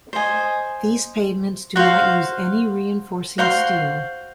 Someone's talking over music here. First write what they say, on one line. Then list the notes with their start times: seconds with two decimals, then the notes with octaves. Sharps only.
These pavements do not use any reinforcing steel.
0.13 C5 D#5 G#5
1.76 F#4 C5 F5
3.38 F#4 C5 F5 C6